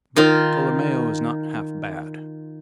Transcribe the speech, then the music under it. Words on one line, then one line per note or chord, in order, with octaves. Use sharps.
But Tolomeo is not half bad.
D#3 F4